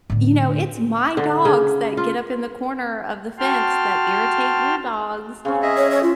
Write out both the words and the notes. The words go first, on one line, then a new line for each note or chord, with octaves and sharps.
you know, it's my dogs that get up in the corner of the fence that irritate your dogs,"
A2 D3
D3
C#3
F4
F#4 G5 A5 C6 F6
C#3 C4 C#4
G#4 D#5 E5
C#5
C#5
F4